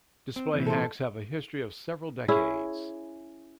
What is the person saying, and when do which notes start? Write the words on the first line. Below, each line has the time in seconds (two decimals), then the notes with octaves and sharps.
Display hacks have a history of several decades.
0.36 C4
0.53 A#2 E3 C4
0.66 A4 C5
2.28 C#4 E4 G#4